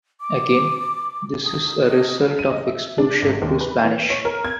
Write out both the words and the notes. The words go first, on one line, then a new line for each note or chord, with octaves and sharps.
Again, this is a result of exposure to Spanish.
D6
D#6
D#5
D#7
D#5
E5
D4
G#1
D#2
B4
E3
C#5
A#4
G#6